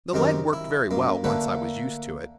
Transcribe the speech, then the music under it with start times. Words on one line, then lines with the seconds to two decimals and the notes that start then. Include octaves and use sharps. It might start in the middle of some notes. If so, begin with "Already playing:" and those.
The leg worked very well, once I was used to it.
0.13 F#2 D#3 C4 G4 A#4
0.53 E4
0.91 F#2 A#3
1.24 D3 A3 A#3 B4